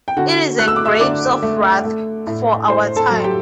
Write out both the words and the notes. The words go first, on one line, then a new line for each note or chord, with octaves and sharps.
It is a "Grapes of Wrath" for our time.
G5
D3 F#4 F#5
A3 F#6
E6
D6
E5 E6
D3 D5 D6
A3
A3
A2
A2 C5 C6
A4 A5
F#3
G4 G5